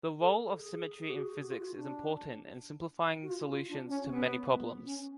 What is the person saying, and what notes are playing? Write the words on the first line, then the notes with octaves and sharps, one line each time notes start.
The role of symmetry in physics is important in simplifying solutions to many problems.
A4
G#4
G#4
F#4
G#4
G#4
F#4
F4
F#4
D4
F#4
F4
F4
D4
C#4
B3
C#4